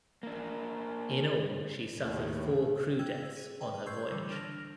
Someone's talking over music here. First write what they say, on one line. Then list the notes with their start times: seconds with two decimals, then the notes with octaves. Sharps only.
In all she suffered four crew deaths on her voyage.
0.23 A#3 D4
1.98 D#2 A2
2.99 G5 E6 G#6
3.37 G#4
3.61 B4 G5 A5
3.86 C6 C#6 E6 G6 G#6 C7
4.11 D3 E3 G3
4.30 D4 F6 A#6 F7